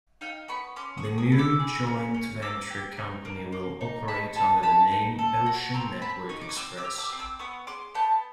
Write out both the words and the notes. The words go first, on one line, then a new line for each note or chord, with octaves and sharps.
The new joint venture company will operate under the name "Ocean Network Express".
D#4 F5 G5
B3 B5 C#6
C#4 C6 D6
C#6 D#6
G#4
C#6 D#6
E4
D6 E6
G#4
C#4
C#4
A#3 D6 E6
G4
D#4
A#3
A#3
D#4
D#4 A5 B5
D#4 A5 B5
D#4 A5 B5
D#4
A4
F#4
C4 A#5 C6
C4 A5 B5
D#4 C#6 D#6
D6
D#6
C4 D6 E6
D6 E6
G4
D6 E6
C4 D#6
D6 E6
B3 C#6 D#6
G#4 C6 D6
B3 G5 A5